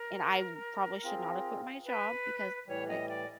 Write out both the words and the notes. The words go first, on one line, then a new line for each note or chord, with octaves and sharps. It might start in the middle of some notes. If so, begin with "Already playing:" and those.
and I probably should not have quit my job because, like,
Already playing: A#4
C4 F4 G#4
B4
A2 E3 G3 C#5
D#5
D5